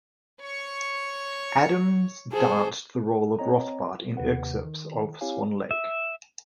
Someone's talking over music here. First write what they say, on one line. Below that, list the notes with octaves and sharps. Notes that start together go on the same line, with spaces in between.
Adams danced the role of Rothbart in excerpts of Swan Lake.
C#5 C#6
G#4 A4 C5
C4 C#5 D#5 A#5
D#2 C3 B4 F#5
D#3
C4 E4 G4 C#5 F5 G#5
E5